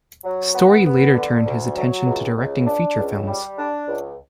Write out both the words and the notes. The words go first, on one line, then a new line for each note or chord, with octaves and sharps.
Story later turned his attention to directing feature films.
F#3
B3
B3
D3
D2
F#3
C#2
C#2
D4
C#2
G3
D4
C#2